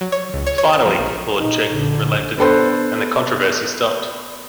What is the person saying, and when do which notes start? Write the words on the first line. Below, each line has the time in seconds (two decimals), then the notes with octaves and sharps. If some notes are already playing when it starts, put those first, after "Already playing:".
Finally, Lord Cheng relented, and the controversy stopped.
0.01 F#3
0.12 C#5
0.34 C#2
0.47 C#5
0.58 C#5
0.73 A5
0.86 F3
0.99 A#1
1.39 A#2 D#4
1.75 A#1 D3
2.38 B3 D4 A4 B4 C5